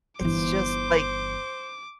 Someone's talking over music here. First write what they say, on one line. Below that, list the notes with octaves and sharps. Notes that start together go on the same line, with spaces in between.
It's just like
G1 E3 C5 D6